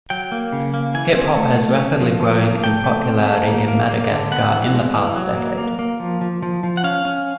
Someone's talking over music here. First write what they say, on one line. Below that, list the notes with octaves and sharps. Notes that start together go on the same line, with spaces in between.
Hip hop has rapidly grown in popularity in Madagascar in the past decade.
F#3 G5
A#3
C#3
A#3
E3 G#5
C4
A3
A3
C#4
F3
F3
A#3
A3 G5
A3
C4
A3
A#3
A#3
A#3
D3
B3 F#5
E3
G#3
E3
F#3
A#3
A#3
A#3
F3
F3
F3
F3
F#5
C#4 F5
C#4